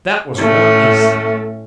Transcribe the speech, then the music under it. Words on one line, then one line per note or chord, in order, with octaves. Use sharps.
That was one instance.
A2 A3 C#4